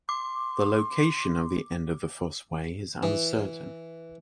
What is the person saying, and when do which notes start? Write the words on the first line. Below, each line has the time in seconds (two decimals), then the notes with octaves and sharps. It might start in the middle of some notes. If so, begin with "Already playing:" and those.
The location of the end of the Fosse Way is uncertai.
0.09 C6 D6
3.03 E3